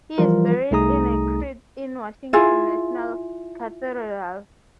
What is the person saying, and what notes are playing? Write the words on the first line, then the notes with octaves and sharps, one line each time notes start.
He is buried in a crypt in Washington National Cathedral.
E3 F3 G3 F4 A#4
C2 A3 D#4 G#4 A#5 D#6
E4 F4 G#4